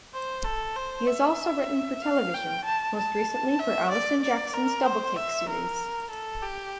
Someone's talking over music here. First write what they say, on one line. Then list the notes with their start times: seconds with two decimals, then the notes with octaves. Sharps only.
He has also written for television, most recently for Alison Jackson's "Doubletake" series.
0.14 C5
0.45 A4
0.76 C5
1.07 E5
2.02 F5
2.34 G5
2.65 A5
2.96 A5
3.59 E5
3.90 D5
4.23 D5
4.54 A#4
4.86 C5
5.16 E5
5.49 A#4
6.10 A4
6.43 G4